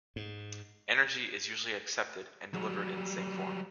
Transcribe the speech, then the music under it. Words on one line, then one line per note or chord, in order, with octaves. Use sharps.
Energy is usually accepted and delivered in the same form.
G#2
F#3 G3